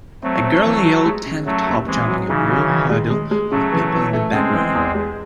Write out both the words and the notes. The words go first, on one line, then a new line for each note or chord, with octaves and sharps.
A girl in a yellow tank top jumping a blue hurdle with people in the background.
F#3 A3 C4
C4
E3
F#4
G#3
C#3
C#3 F#3 A3
D#2
E3 G#3 C4
F#3
C#3 E3 D#4
F#3
D#3
G#3
G#3
G#3
C#3 F#3 A3
E3
E3
A3
C#3 G#3 C4
E3
E2
G#3